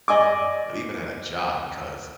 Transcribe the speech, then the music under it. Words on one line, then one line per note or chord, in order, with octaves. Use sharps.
but even at a job, because
D5 D#5 G#5 D6